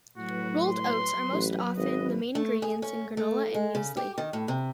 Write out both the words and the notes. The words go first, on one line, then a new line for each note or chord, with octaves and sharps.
Rolled oats are most often the main ingredient in granola and muesli.
A2 F#3 F#4 B4
C6
A1
G#1 D#5
A3
G#4
C#4
A3
G#3
C#3
G4
D#3
A2
C3